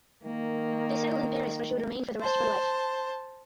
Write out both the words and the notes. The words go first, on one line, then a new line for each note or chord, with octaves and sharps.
They settled in Paris where she would remain for the rest of her life.
D#3 A#3
C5 A5